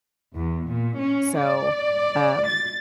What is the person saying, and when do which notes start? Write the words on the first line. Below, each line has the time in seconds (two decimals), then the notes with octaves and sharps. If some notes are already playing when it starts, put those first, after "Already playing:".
So, um,
0.36 E2
0.68 A#2
1.01 C#4
1.38 D5
2.48 A6